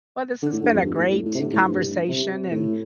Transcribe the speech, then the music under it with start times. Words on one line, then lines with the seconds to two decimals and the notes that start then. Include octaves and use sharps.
Well, this has been a great conversation, and
0.42 D3
0.53 A2
0.64 G2
0.74 F2
0.84 G2
0.97 A2
1.12 A2
1.26 A2
1.35 C3
1.40 D3
1.53 A2
1.68 G2
2.09 C3
2.51 A2